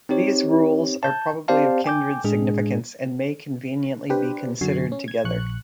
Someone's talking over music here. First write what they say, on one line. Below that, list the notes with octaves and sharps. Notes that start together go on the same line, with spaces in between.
These rules are probably of kindred significance, and may conveniently be considered together.
C4 D#4 G4 C#5
A5 G6
C4 G4 C5 D5 F5 A5
G5 G#5 D6 G6
A2 G#3 D4 G#4
D4 G4 B4 C5
F#2 D3 F#4 G#5 C7
C#4
G#6
A#1 C#6 F#6